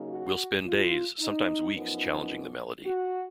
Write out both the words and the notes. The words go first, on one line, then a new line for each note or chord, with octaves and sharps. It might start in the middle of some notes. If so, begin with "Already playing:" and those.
We'll spend days, sometimes weeks, challenging the melody.
Already playing: C#3 F#3 A#3 D#4
F#4
F4
D#4
F#2 F3 B3 D#4
F#4